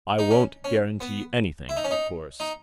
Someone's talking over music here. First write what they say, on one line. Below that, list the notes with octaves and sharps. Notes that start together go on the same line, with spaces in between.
"I won't guarantee anything, of course...."
D#4
C#4
C#4
B3
E4
D#4
C#4
D#4
D#4